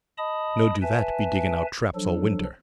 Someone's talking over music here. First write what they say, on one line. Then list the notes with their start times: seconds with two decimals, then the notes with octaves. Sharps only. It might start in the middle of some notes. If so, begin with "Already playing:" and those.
No do that, be digging out traps all winter.
0.18 D#5 A5 B5 D#6
0.82 B4 E5 G#5 A5
1.95 F3 F#3 D4 A4